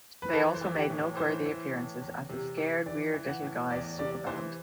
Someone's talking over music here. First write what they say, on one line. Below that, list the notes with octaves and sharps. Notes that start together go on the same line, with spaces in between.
They also made noteworthy appearances as The Scared Weird Little Guys Superband.
B4
E3 A4
C5
E3
G4
A2
E3 C5
E3
A2
E2
C3
E3
E3 D5
E3
F#5
A2
E2 D5
C3 D5
E3 C5